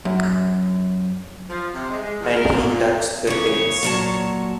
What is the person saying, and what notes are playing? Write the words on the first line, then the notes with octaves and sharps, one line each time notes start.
And he touched the tins.
F#2
F3
C3
G#3
G#3
E2
A#4
D3
A#2
E2 C#3 C#5
A#2 F#3 A5